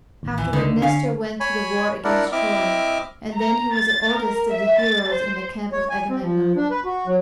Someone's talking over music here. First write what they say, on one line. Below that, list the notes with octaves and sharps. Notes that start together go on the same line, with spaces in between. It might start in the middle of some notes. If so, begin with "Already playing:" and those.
Afterward Nestor went to the war against Troy, and then he was the oldest of the heroes in the camp of Agamemnon.
A1 D#2
E3
C#2 D3 D#4
D3 C#4 F5
C#5 G#5 B5
D4 E4 A#4 D5 F#5
C4 E4 D#5 E5 D6 F6
A#5
A6
A#4
E5
A6
C5
C#5
G#5
C4
F3
D4
B4
F#4
F#3